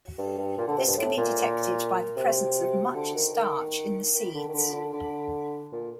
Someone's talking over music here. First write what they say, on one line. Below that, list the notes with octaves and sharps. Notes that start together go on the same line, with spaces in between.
This can be detected by the presence of much starch in the seeds.
G2
G2
A#2
D3
C3
G2
A2
A#2
C3
D3
D#3
D#3
D#3
D3
D#3
D3
D3
D3
A#2